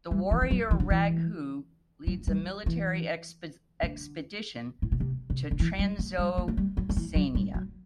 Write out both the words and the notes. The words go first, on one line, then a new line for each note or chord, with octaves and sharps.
The warrior Raghu leads a military expedition to Transoxiana.
G3
E3
E3
F#3
E3
D3
E3
F#3
G3
E3
D3
A2
B2
C3
C3
D3
E3
G3
A3
G3
A3
A3
G3
F#3
F#3
E3
F#3
G3
F#3